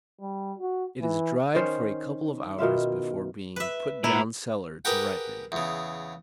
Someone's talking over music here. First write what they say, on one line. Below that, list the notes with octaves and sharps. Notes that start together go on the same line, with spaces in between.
It is dried for a couple of hours before being put down cellar to ripen.
G3
F#4
E3
D#3 C#4 C5
B2 D#3 F4 E5
B4 E5
A#2 E4 A#5
G4 G#4 A#4 B4 F#5 G5
E2 C#3